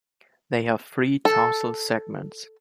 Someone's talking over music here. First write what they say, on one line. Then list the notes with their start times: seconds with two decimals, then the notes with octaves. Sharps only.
They have three tarsal segments.
1.25 A4